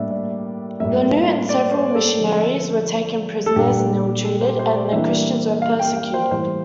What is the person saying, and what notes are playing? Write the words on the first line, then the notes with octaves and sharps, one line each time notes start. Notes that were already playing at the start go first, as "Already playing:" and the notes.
Laneau and several missionaries were taken prisoners and ill-treated, and the Christians were persecuted.
Already playing: A2 G3 A#3 D4 D5 E5
D5
A2 G3 A#3 E5
D5
C5
A4
D3 F3 C4
A4
A#2 G3 D4 G4
A4
C5
C5
D5
E3 G3 A#3 D4 E5
F5
G5
F5
C5
A2 E3 G3 C5